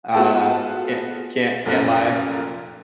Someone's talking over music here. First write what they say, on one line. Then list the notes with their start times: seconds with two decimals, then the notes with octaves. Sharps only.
Uh, can't can't can't lie.
0.14 B3 F4 F#4 G#4 A4 A5
1.65 F1 F#2 A#2 A4 A#4 F#6